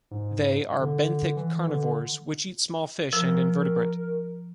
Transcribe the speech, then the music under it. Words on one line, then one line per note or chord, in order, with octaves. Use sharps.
They are benthic carnivores which eat small fish and invertebrate.
G#2
D3
E3
D3
F3 A#4 E6